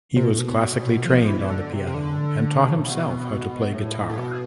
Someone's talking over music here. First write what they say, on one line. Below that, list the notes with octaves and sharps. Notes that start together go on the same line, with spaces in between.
He was classically trained on the piano and taught himself how to play guitar.
C3
B2
A2
B2
F3
E3
D3
C3
C3
D3
A2
B2
A2
A2
B2